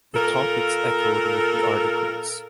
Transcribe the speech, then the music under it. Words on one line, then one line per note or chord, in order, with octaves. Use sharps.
The topics echoed with the articles.
A#2 A4 A#4